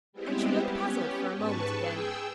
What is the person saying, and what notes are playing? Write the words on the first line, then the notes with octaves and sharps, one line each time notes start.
And she looked puzzled for a moment again.
G3 G#3 B3 C4 E4 G4
B3 C#4 G4
G#2 B4 A5 C#6
G#4 G5 E6